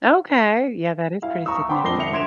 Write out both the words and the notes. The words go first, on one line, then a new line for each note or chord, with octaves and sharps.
Okay, yeah, that is pretty significant.
E4 F5
A#5 C#6 D#6 E6
F#5 G5 A5 B5 C6 D6
E1 F2 A#6 C7 G7
E5 C#7 F7
D2 E5 C6 G#6 D7 E7